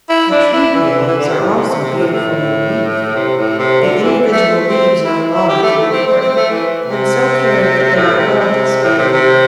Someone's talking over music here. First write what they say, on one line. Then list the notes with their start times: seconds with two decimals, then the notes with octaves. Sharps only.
The Tree Paeonies are also beautiful in leaf; the individual leaves are large and important, and so carried that they are well displayed.
0.09 E4
0.31 D4
0.53 E4
0.75 E3
0.97 D3
1.08 E3
1.18 D3
1.30 C3
1.40 A2
1.55 C3
1.70 C3
1.84 C3
1.99 A2
2.13 A2
3.15 C3
3.37 A2
3.59 C3
3.81 D3
4.03 E3
4.31 A3
4.68 C4
5.05 E4
5.34 E4
5.49 G4
5.63 A3
5.77 A3
5.92 C4
6.06 C4
6.21 C4
6.36 A3
6.50 E3
6.86 C3
7.96 A2
8.18 C3
8.40 C3
8.83 A2
8.99 C3
9.13 C3